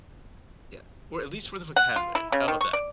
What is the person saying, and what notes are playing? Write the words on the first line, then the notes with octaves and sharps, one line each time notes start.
Yeah, or at least for the vocabulary how about that?
F#5
F4
E4
C#3
D#3
C#6
D5